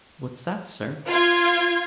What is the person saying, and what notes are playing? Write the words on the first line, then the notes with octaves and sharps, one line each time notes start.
"What's that, sir?"
F4 G#6